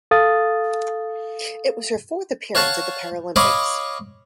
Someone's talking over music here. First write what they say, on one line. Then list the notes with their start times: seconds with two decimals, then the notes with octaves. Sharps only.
It was her fourth appearance at the Paralympics.
0.11 A4 F5 D#6 A6
2.55 C#5 F5 F#5 A5 C#6
3.36 C#5 D#5 F5 B5 C#6 D6